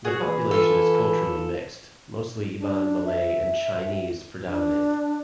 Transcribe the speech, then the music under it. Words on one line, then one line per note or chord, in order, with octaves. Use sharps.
The population is culturally mixed, with mostly Iban, Malay and Chinese predominating.
F#4 G#4
E3
F4 A4
D4
E5
D4